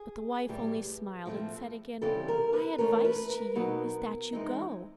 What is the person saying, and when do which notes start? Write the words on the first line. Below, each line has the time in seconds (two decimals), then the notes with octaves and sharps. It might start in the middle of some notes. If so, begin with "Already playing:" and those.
But the wife only smiled and said again, "My advice to you is that you go."
Already playing: G#4
0.49 A2 E3 G3
1.26 A2 F3 A3 C4
2.02 C#3 E3 G3 C4 A4
2.28 A#4
2.53 B4
2.78 E3 A3 C#4 A#4
3.05 B4
3.30 A#4
3.55 B2 F#3 B3 D#4
4.33 E3 G#3 C4 D#4